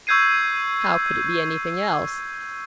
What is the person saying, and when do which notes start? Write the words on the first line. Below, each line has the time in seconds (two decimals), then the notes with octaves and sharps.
How could it be anything else!
0.07 C#6 E6 G6 G#6 C7 D#7